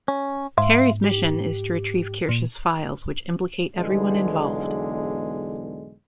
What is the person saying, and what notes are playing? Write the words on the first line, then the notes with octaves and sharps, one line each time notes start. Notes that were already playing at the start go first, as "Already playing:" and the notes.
Terry's mission is to retrieve Kirsch's files, which implicate everyone involved.
C#4
G#2 E5 F5 C6
G4
A#2
B1 E2 D3 G#3